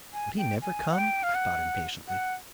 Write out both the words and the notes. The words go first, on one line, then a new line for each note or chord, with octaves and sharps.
Would he never come? I thought impatiently.
G#5
G5
G#5
F#5
G5
F5
F#5
F#5